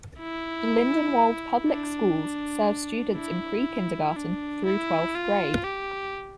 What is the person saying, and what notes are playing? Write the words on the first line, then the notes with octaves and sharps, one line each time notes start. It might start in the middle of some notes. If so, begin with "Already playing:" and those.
The Lindenwold Public Schools serve students in pre-kindergarten through twelfth grade.
E4
D4
E4
D4
E4
F4
G4